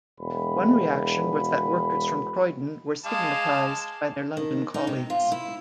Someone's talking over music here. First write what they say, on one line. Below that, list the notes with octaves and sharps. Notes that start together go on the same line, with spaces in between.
One reaction was that workers from Croydon were stigmatised by their London colleagues.
E1 B5
G#3 F5 A5 D6
D#3
D#4
C3
F4
E4